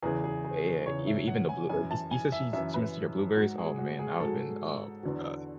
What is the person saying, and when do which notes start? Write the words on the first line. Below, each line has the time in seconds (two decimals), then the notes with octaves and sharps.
Uh, yeah, ev even the blue like, you you said she's she messed with your blueberries? Oh, man. I would've been oh my god.
0.02 E2 C#3 E3 G#4
0.24 G#4
0.44 G#4
0.86 E2 C#3 E3 C#5
1.07 E5
1.28 F#5
1.49 G#5
1.69 F#2 E3 G#5
1.91 A5
2.11 G#5
2.32 E5
2.53 F#2 E3 E5
2.74 B4
3.37 G#2 F#3 F#4
3.58 G#4
3.78 F#4
3.99 G#4
4.20 G#2 F#3 A4
5.03 E2 D3 F#3